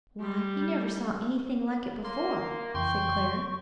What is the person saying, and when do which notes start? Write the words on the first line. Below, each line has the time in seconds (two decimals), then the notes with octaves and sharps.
"Why, he never saw any thing like it before," said Clara.
0.21 G3
2.04 A#3 C6
2.75 F2 C#3 E3 G5 C6 C#6